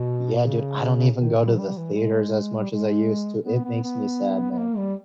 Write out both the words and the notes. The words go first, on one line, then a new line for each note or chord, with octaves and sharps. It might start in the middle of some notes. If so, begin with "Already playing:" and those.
Yeah, dude. I don't even go to the theaters as much as I used to, it makes me sad, man.
Already playing: B2
B2
C#3
D#3
G3
E3
G3
E3
G#3
G3
G#3
B3
B3
B3
B3
A#3
G3